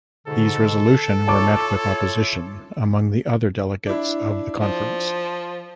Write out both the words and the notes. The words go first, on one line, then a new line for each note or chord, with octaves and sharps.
These resolution were met with opposition among the other delegates of the conference.
G#2 B2 D3 A4
E4 F4 C#5 A5 C#6 D6
D4 E4
F3